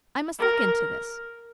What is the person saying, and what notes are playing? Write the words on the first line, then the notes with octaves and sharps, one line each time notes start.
I must look into this.
A#4